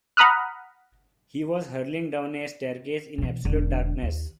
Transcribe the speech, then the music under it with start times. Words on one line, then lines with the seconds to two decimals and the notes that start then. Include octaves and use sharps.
He was hurling down a staircase in absolute darkness.
0.17 F#5 A#5 B5 D#6 F6 F#6
3.18 B2 E3
3.45 E1 D3
4.03 D#2